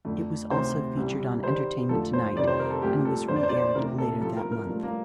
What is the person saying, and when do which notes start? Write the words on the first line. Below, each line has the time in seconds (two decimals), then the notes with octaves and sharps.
It was also featured on "Entertainment Tonight" and was re-aired later that month.
0.05 F2 D3 A3
0.51 D2 C3 D#3 C5
0.97 C2 C3 G3
1.44 G2 D#3 G3 C5
1.89 F2 D3 F3 A3 A4
2.13 C5
2.36 F2 C3 D#3 G3 D5
2.48 C5
2.59 A#4
2.70 A4
2.82 C2 A#2 F3 A3 G4
3.05 A4
3.28 F2 D3 F3 C5
3.36 D5
3.43 C5
3.49 D5
3.57 C5
3.75 D2 C3 D#3 A#4
3.98 A4
4.21 A2 F3 A3 A4
4.37 A#4
4.52 A#4
4.67 G2 F3 A3
4.83 A#3